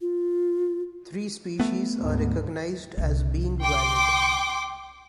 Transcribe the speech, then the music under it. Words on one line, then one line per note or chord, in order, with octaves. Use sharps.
Three species are recognized as being valid.
F4
A3 B3
D2 G#2 D3
C2 D3
G5 C6 D6